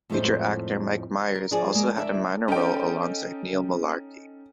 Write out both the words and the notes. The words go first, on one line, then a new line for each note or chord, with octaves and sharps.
Future actor Mike Myers also had a minor role alongside Neil Mullarkey.
F2 A2 G3 G#3 D#4 C5
A#4
F3 D4 D#4 G#4 C5 D5
G#3 A#3 A#4 D5
D4 E4 A#4 D5 E5
C#4 D#4 A4 G5